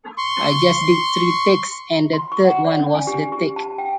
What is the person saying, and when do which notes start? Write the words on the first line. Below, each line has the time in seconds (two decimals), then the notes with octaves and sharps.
I just did three takes and the third one was the take.
0.18 C6 C#6
2.13 C6
2.32 C#6
2.45 F#5
2.65 D5
2.79 C#4
2.95 G#5
3.07 G4
3.32 G4
3.56 A5
3.78 G5